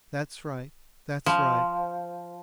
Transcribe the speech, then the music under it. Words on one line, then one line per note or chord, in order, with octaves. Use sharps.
That's right, that's right.
F3